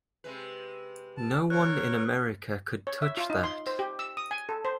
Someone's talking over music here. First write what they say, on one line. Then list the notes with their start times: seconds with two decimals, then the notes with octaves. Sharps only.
No one in America could touch that.
0.24 C3 G#3 B4
1.17 A5
1.50 D3 B3 A#4 C#5 F#6
2.87 C#5
3.02 E5
3.17 F4
3.30 D#4
3.44 C6
3.67 C5
3.79 G4
3.99 E6
4.17 D#6
4.31 G#5
4.49 A4
4.65 C5